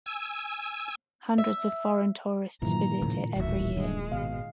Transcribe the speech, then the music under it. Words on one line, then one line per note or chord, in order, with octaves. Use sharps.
Hundreds of foreign tourists visit it every year.
G#5 E6
E5
G2 A#2 D#3 E3 F#3 A#5
D2 A2 C#3 F3
D1 A1 A2 E4 F#4 E5
G2 D3 G#3
G#1 B2 F5